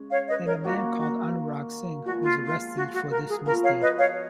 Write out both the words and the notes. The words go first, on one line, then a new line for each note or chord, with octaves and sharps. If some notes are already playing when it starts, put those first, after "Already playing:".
And a man called Anurag Singh was arrested for this misdeed.
Already playing: C#3 G#3 C#4
C#5 F5
B4 D#5
A#4 C#5
D#3 F#3 A#3 F#4
F#4
A#2 F3 G#3 B3 F#4
F4
F4
F#4
F#4
A#4
G#4
F3 B3 F#4 A#4
C#5 F5
B4 D#5
C#5 F5